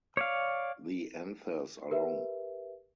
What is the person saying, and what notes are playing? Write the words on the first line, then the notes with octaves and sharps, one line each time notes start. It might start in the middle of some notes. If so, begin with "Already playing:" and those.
The anthers are long.
C#5 D5 F5
G4 A#4 B4 E5